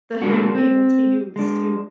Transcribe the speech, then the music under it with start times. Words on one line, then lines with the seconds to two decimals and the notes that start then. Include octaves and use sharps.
that I'm able to use to
0.22 G#3 A#3 D4 F#4
0.55 C4
1.36 G#3 D4